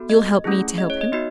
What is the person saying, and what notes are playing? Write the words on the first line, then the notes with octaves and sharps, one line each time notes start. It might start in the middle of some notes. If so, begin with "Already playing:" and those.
You'll help me to help him?
Already playing: B3 F#4 A4
D#5
A3 C#4 E4 G#4
D#5
C#5
D#5
B3 D#4 F#4 D#5